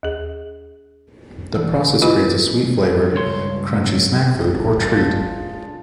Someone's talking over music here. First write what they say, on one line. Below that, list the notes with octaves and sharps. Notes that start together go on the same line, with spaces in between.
The process creates a sweet flavored, crunchy snack food or treat.
D#2 G#4
E3
E4 F4 B4 D#5 G#5 B5
C#2 G2 C#5 C6
G3 G#3 D4 F4 A4 A#4 A5 A6